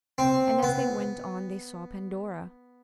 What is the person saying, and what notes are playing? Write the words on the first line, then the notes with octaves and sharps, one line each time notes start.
And as they went on they saw Pandora.
C4
B3